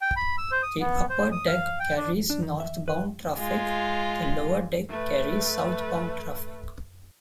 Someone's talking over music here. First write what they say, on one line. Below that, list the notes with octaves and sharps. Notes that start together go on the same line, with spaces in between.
The upper deck carries northbound traffic; the lower deck carries southbound traffic.
G5
B5
E6
C5
D#6
B3
C5
D#6
F5
G5
D4
D4
D#3
E5
B4
G#3 F4
A3 B4